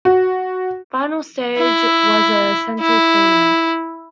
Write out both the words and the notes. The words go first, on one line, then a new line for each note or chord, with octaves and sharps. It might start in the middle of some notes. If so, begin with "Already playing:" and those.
Final stage was a central tournament.
F#4
E4
E4